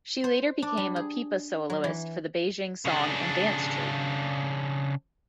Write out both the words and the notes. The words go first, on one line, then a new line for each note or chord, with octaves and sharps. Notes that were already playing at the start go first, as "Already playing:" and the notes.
She later became a pipa soloist for the Beijing Song and Dance Troupe.
C5
D4
G3
G#4
F#3
E3
C#3 D4